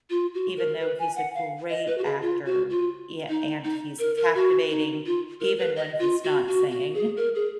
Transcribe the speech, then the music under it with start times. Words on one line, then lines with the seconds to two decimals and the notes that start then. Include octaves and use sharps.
even though he's a great actor, yeah, and he's captivating even when he's not singing,
0.10 F4
0.34 F#4
0.57 A#4
0.80 B4
0.99 G#5
1.16 F#5
1.35 F5
1.70 D#5
1.87 B4
1.98 F#4
2.04 G#4
2.22 F4
2.46 F#4
2.70 F4
3.29 D#4
3.64 D#4
3.99 A#4
4.17 A#4
4.35 F#4
4.70 D#4
5.06 F4
5.41 A#4
5.58 B4
5.76 D#5
5.99 F4
6.24 F#4
6.47 F#4
6.70 F#4
6.94 G#4
7.17 A#4
7.35 G#4